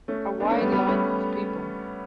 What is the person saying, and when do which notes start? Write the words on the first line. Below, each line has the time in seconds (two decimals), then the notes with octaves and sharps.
A wide line of people.
0.08 A3 C#4
0.40 B3 D4
0.51 A3 C#4
0.61 G3 B3
0.72 G3 B3
0.88 A3 C#4